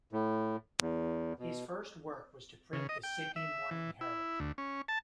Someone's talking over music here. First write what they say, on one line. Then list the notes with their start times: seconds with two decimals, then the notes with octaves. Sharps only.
His first work was to print the "Sydney Morning Herald".
0.13 A2
0.81 E2
1.39 B2
2.73 C#3
2.89 D#5
3.03 G5
3.36 E5
3.71 E3
4.01 E4
4.40 D2
4.58 C#4
4.88 A5